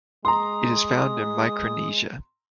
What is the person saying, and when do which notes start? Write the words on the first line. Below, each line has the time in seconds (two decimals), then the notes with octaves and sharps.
It is found in Micronesia.
0.25 G#3 A#5 C6 D#6